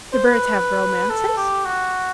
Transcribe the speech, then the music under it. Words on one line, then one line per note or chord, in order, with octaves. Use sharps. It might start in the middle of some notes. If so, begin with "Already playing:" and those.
Do birds have romances?
C5
B4
A4
G4
F#4